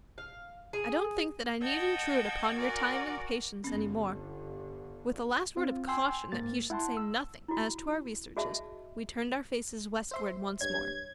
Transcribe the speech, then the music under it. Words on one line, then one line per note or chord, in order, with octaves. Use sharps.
"I don't think that I need intrude upon your time and patience any more." With a last word of caution that he should say nothing as to our researches, we turned our faces westward once more.
F5
G#4
D#5 F#5 G5 A5 G#6
F#4 A#4 D5 F#5 G#5
G1 G2 D3 B3 C#4
C4 F4
G5 G#5 C6 E6
G#2 A#3 A6
E4 F#5 A5 C6
E6
E4 F#4
F#4 G#4 D#5 E5 A5
C5 E5 C6
G2 C#5 G#6